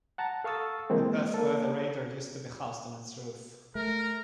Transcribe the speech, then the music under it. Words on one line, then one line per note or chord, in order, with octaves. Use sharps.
The Perth weather radar used to be housed on its roof.
F#5 A5 A#5
A4 F5 C#6 D#6 E6 A6
E3 G#3 A#3 C4
A#3 A4
A3 A#4